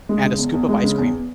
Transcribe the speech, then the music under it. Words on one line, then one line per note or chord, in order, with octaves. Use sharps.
and a scoop of ice cream.
G#3
C#3
E2
E2
G#3
C#3
E2